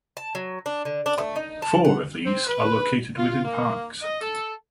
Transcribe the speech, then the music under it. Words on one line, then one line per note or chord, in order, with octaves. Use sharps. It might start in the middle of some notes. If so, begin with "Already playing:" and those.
Four of these are located within parks.
A5
F#3
D4
D3
D4
A3
D#4
A5
F#5
C4
B4
F4
A#3
D#5
A4